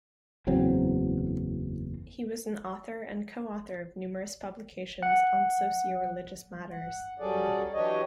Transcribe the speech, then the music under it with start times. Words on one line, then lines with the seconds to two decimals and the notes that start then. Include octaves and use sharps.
He was an author and co-author of numerous publications on socio-religious matters.
0.47 F#1 E2 F#3 C4
5.03 F#5
6.70 F#5
7.19 F#3 G3 C#4 G#4 A4 D5
7.74 E3 F#3 D4 G4 C#5 D#5